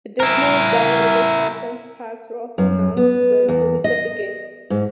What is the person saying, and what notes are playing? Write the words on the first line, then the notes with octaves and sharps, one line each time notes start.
Additional downloadable content packs were also announced with the release of the game.
E4 A#4
F#2
B3
E2
D#5
G#2